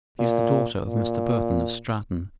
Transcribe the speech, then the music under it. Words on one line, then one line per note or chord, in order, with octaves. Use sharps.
"She is the daughter of Mr. Burton of Stratton."
A#2
A#2